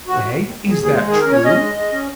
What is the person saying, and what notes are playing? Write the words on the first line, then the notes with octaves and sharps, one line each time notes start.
"Nay, is that true?"
D#2 F#4
D#2
D#2
D#2
G#4
D#2
G#4
G#3
D#3 G#4
C#4 A#4
C#5
C#4 D#5
G#3
G#3
C#4